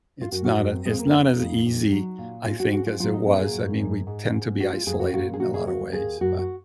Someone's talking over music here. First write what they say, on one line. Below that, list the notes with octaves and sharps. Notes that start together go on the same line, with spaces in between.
It's not a it's not as easy, I think, as it was. I mean, we tend to be isolated in a lot of ways, but
F4
F#2 F#4
F#4
F#2 F#4
C4
F2 G#3
C4
A#3
C4
F2 C#4
D#4
F2
F2
F#3
A#2
G#2 F4
F#4
G#2 F#4
F4
F#3 F4
D#4
A#2 C4
G#4
F#2
F#2
G#2
G#2
G#3 F#4
F4
F2 G#4
F#4
A#2 F#4
G#4
A#2 F#4
G#4
D#2 F#4
D#2 G#4
F#2 F#4
F#4